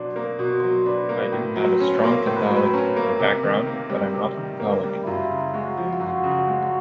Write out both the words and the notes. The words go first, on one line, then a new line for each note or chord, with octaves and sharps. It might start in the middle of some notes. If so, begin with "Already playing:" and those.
I did have a strong Catholic background, but I am not a Catholic.
Already playing: B2 F#3 D4 C5
A#3
B2 C5
C#5
F#3 C5
D4 B4
A#3
A2 A#4
F#3
C5
B4
C#4 C5
C5
A#3
A2 C5
B4
F#3 A#4
B4
C#4 A#4
A#3
C3
D#3
A#3
G3
C3
D#3
A#3
G3
F#2 E4 F4
C#3
G#3 F#4
F3
F4
F#2 F#4
C#3 F#4
F4
G#3
F#4